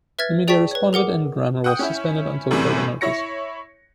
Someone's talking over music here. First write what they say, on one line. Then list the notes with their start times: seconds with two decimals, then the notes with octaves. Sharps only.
The media responded and Rymer was suspended until further notice.
0.19 B4 E5 F6 G#6 A6
0.48 G#4 D5 G5 A5 C#6 B6
0.71 B4 C#5
0.93 G#4 A#4 F#5 D6
1.64 F#5 G5 D#6 G6
1.79 C#4 E4
2.51 F#2 A2 C3 E3 G3
3.01 E4 C#5 A#6 C#7